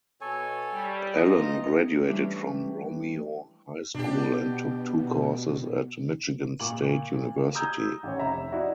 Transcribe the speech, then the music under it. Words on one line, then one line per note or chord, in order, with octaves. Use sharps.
Allen graduated from Romeo High School and took two courses at Michigan State University.
B2 A4 C#5 G#5
G3
E3 D#4 F4 D#5
E3 G3 A3 C#4 D4 G4
B2 B3 D4 G4
A#2 C#6 D6 F#7
A#5 D#6 E6 G6 G#6
A1 D#3 C#5
F1 E5 A#5
D#4 E4 F#4 D5 E5